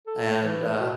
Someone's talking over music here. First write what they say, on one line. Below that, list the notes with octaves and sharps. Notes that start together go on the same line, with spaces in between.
And, uh
A4
E3
B2